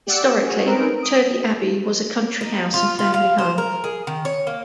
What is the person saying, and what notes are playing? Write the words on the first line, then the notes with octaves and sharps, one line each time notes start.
Historically, Turvey Abbey was a country house and family home.
G4 D5 F#5 E6
C#4 F#4 G#4
C4 C#4 D#4 A#4 B4 D7
D#6 D7
D#4
F4
F4
F5
C5
A#4
G#4
D#3
C#5
A#3